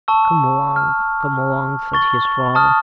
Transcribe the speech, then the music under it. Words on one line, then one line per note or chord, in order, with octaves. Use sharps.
"Come along, come along!" said his father.
A5 C#6 E6
F6
C#6 A6 G7
A5 D#6 F6